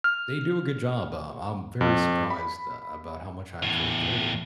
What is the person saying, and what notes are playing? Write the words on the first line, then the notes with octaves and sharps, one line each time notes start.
They do a good job, um, I'm very surprised a about how much I actually enjoyed it.
F6
F2
B5
E2 A2